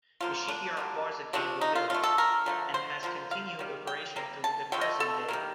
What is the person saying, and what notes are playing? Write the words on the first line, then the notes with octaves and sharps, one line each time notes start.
The shipyard was again rebuilt, and has continued operation through the present day.
D3 F3 A#3 F4
D4
D3 G3 A#3
C3 F3 A3 D4
D#4
F4
D3 A3 F4
A4
A#4
D3 F3 A3
C5
D3 F3 A#3
F5
D#3 G3
G5
C3 G3 A#3
A5
D3 F3 A3 G5
D#5
A4
D#3 G3 A#3